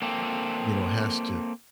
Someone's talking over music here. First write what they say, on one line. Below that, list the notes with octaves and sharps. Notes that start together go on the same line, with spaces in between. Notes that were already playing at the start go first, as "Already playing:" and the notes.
you know, has to
A#3 C4 A4